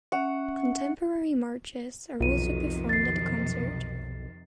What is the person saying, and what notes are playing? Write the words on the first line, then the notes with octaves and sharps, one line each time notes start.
Contemporary marches are also performed at the concert.
C#4 E5 F#5
B1 F2 C3 D#3 F4 D#7
A6 C7